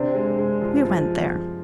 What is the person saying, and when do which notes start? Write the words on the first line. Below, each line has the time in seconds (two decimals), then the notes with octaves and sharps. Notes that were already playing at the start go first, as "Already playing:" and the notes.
We went there.
Already playing: C3 C4 D4
0.15 G#3
0.38 G#3
0.61 F3
0.85 F3